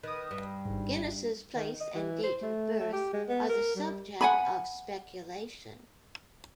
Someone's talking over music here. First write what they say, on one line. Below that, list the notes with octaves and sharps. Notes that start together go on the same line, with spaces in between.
Guinness's place and date of birth are the subject of speculation.
D#3 B4 D#6
G2
G#1 G#2
D#3
D#5
E3
C5
A3
A3
G4
G#3
B3
A#4
G3
F#5 G#5 B5